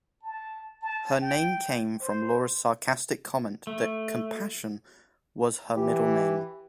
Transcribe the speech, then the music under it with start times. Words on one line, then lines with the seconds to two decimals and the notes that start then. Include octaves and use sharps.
Her name came from Laura's sarcastic comment that "Compassion" was her middle name.
0.23 A5
0.82 A5
1.22 G5
2.02 C5
3.67 A3
5.77 E3 G4